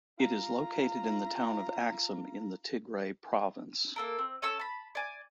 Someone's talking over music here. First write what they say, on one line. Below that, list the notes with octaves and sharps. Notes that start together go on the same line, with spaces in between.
It is located in the town of Axum in the Tigray Province.
F4 A#5
A#3 A4 A#4
C4
C#4 A4 C#6 E6
A5 B5
D5 G#5